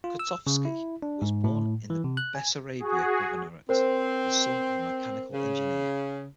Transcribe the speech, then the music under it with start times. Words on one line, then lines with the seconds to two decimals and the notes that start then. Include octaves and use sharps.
Kotovsky was born in the Bessarabia Governorate, the son of a mechanical engineer.
0.04 F4
0.19 E6
0.47 C#3
0.65 E4
1.02 D4
1.22 G#2
1.44 A2
1.90 E3
2.04 C3
2.17 F#6
2.35 G#5
2.79 F#4 G#4
3.69 C4 A#4 C5
5.31 C#3